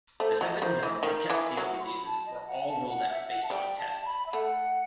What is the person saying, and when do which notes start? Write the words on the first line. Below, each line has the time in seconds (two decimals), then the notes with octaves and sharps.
The seven known rickettsial diseases were all ruled out based on tests.
0.20 A3 C5
0.32 C5
0.41 F#3 D#5
0.61 D#3 C5
0.82 E3 D#5
1.03 D#3
1.25 D#5
1.30 E3 E5
1.57 F#3 F#5
1.80 C6
1.86 B5
2.06 A5
2.26 D#5
2.47 F#5
2.68 A5
2.88 F#5
3.10 E5
3.25 E5
3.29 F#5
3.43 A5
3.50 G3 G5
3.78 A5
4.05 B5
4.26 E5
4.32 A3 F#5